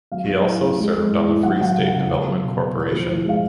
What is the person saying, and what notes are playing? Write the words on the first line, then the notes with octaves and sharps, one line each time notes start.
He also served on the Free State Development Corporation.
F#3 F5
F#3
A2
A2
G#3
G#3
A2
A2
F#3 F#5
F#3 F#5
F5
C#3
F#5
C#3
F#3 F5
F#3
B2
B2
A2
F3
A2
G#3 F5